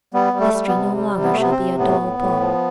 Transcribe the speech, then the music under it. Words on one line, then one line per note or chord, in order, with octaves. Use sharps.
History no longer shall be a dull book.
G3 B3
G3
A3
G3
B3
C3
G3
C3
B3
C3 A3
B3
C4
C3
A2 B3
A2
A2
F3